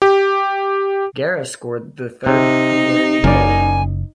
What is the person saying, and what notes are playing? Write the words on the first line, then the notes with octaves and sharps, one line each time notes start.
Gera scored the third Hungarian goal.
G4
C3 D#4
F#1 C#3 A#4 D5 G#5